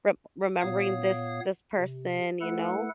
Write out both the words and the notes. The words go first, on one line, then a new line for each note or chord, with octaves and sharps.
re remembering this this person, you know,
A#2 B3 C#5 F5 D#6
C3
A3 E4 A4 B4 F#5